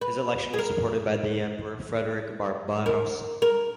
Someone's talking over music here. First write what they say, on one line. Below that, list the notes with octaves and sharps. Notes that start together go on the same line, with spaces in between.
His election was supported by the Emperor Frederick Barbarossa.
B4
G#4
A#4
A#4
A#4